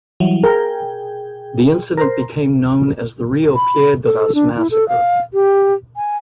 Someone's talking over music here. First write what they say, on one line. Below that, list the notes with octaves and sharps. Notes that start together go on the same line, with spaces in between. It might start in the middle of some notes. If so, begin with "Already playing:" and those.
The incident became known as the Rio Piedras massacre.
E3 F#3 G3
G#4 A#4 G5
A#4 C5
B5
A4
D4
E4
A4
F5
G4
G#5